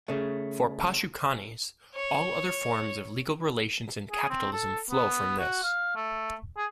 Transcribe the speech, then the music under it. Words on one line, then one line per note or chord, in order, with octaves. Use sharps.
For Pashukanis, all other forms of legal relations in capitalism flow from this.
C#3 A3
C#5
G#4
C4
A4
B3
F#4
F5
A3
G#4